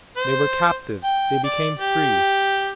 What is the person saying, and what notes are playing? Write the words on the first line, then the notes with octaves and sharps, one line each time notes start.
They were captive; they became free.
C5
G5
D5
G4